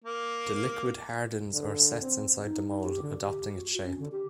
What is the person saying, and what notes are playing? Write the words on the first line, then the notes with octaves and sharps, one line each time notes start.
The liquid hardens or sets inside the mold, adopting its shape.
A#3
D3
C4
D#4
D#4
G4
D3
G4
F#4
F#4
C#4
D3
G4